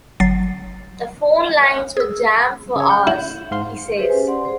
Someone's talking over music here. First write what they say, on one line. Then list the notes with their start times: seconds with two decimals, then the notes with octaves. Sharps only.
"The phone lines were jammed for hours," he says.
0.20 G1 F#3 A6 C7
1.97 G#4 E6
2.76 C#3 C#5
2.89 F#5 G6
3.07 E4
3.51 G#2 F5 C6
3.97 G4 G#4 B4 C5 E5
4.10 C#4 G#5
4.27 D5 F#5 C6
4.45 G#4 C5